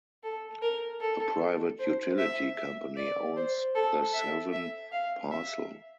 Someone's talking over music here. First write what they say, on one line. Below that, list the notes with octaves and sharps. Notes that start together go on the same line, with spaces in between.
A private utility company owns the seventh parcel.
A4
A#4
A4
C5
E5
E5
D5
C5
A4
E5
E5
F5
E5